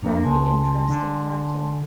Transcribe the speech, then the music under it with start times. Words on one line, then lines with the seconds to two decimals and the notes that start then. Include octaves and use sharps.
Very interesting writer.
0.02 F2 A#3 D4
0.23 C#2 G#5 A5 C6
0.88 D3